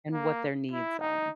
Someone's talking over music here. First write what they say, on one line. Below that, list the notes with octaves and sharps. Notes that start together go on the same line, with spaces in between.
and what their needs are.
A#3
E4
D#4